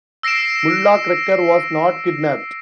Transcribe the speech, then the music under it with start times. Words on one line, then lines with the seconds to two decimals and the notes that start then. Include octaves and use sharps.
Mullah Krekar was not kidnapped.
0.23 E6 A#6 C7 D7 E7